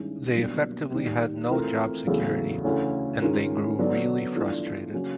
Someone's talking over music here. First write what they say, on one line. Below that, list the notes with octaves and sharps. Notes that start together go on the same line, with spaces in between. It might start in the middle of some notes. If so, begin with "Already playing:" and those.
They effectively had no job security and they grew really frustrated.
Already playing: G2 D#3 G#3 C#4 E4
C2 B2 F#3 A#3 D4
D#2 D#3 G3
E3 A3 C4 F4 A#4
E2 C#3 F#3 A3
D2 C#3 E3 A3 C#4
D#3 G#3 C#4 F4 A#4
D3 F#3 B3 D4
G2 E3 A3 D4 F4
C#3 F#3 A#3 C#4 F#4